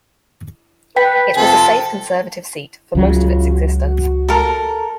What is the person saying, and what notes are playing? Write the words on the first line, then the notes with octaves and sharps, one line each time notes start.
It was a safe Conservative seat for most of its existence.
B4 G5 B6
F2 C3 F3 A4
C#2 C#3 F#3 E4 F4
F#4
A4 A#4